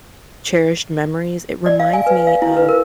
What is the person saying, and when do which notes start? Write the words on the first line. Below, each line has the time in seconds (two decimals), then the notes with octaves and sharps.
cherished memories, it reminds me of
1.66 D5
1.80 F5
1.93 G#5
2.06 B4
2.27 F5
2.42 E4
2.57 B4
2.69 A#4